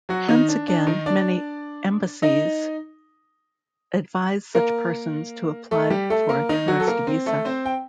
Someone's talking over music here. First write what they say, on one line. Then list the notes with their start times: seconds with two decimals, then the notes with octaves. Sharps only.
Hence again, many embassies advise such persons to apply for a tourist visa.
0.09 F#3 F#4
0.28 D#3 D#4
0.49 D4
0.68 D4
0.87 D#3 D#4
1.06 D4 D5
2.22 D#4 D#5
4.55 A#3 A#4
5.71 A3 A4
5.90 G3 G4
6.10 A3 A4
6.29 A#3 A#4
6.49 D#3 D#4
6.68 F#3 F#4
6.80 A4
6.87 A#3 A#4
7.07 C4
7.26 A3 A4
7.45 C4 C5
7.66 G5